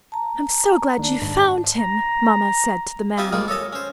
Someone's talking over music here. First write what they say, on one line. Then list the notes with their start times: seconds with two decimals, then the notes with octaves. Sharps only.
"I'm so glad you found him!" Mama said to the man.
0.12 A5 A#5
0.98 D#2 D4
1.22 G#2
1.77 A#5
3.17 C4 F4 G4 D#5 G#5 A5
3.32 F3 G3 G#3 A#3 F4
3.48 A4 C#5 D#5 A5
3.73 C#4 C5